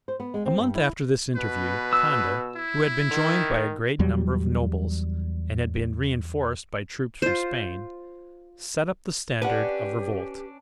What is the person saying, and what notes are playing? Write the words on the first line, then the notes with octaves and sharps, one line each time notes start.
A month after this interview, Conde, who had been joined by a great number of nobles, and had been re-enforced by troops from Spain, set up the standard of revolt.
C5
B3
G#3
C4
G2
E4
B2 B4
E6
E4
D#3
E2 F#3 G3
F4 C5
C#4 D4 G4 B4 F#5